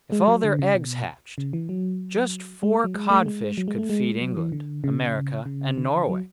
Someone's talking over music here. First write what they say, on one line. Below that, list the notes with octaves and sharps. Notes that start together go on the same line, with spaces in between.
"If all their eggs hatched, just four codfish could feed England, America, and Norway."
G#3
F#3
D3
C#3
B2
C#3
E3
F#3
G#3
F#3
G#3
A3
G#3
F#3
G#3
A3
G#3
F#3
E3
D3
C#3
C#3
D3
F#3